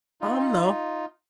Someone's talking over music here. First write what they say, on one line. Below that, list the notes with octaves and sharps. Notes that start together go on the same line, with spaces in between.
Um, no,
D#4 F4